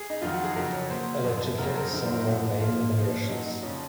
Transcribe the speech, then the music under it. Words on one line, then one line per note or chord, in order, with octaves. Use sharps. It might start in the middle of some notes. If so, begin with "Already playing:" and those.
Allegedly some were maimed by Russians.
Already playing: G#4
D#4
F2 D#3 F#3 F4
F#4
G#4
F2 C#3 F#3 A#4
C#5
A#2 F#3 C5
F#2 F3
F2 C#3 F#3 A#4
C5
A#4
C5
F#2 D#3 F#3 A#4
C5
A#4
F#2 F3 F#4
F#4
A#2 F3 F4
A#2 F3
C#4
A#2 F#3 D#4
D#4
F2 C#3 F3 C#4